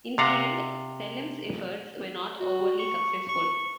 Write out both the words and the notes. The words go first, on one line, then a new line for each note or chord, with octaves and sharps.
In the end Selim's efforts were not overly successful.
C3 D5 F5 F#5 A#5
F#4
C#6
C#6